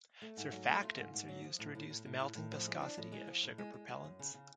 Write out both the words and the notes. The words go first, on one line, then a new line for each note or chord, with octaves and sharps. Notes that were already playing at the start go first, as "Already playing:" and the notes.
Surfactants are used to reduce the melting viscosity of sugar propellants.
A3
G#2
F#3
A3
F4
G#2
G#2
F#3
F3
A2
A2
A2
A2
A2
A2
F3
G#3
D4
A2
G#3
F3
A2
G#3
G#3
G#3
F#2
C#3
C#3